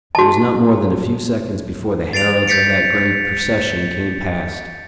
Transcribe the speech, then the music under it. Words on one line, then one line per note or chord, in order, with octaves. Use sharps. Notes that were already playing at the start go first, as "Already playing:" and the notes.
It was not more than a few seconds before the heralds of that grim procession came past.
F#4 A5
A6 C7 D7 F7
G6 A6 B6 C#7 D7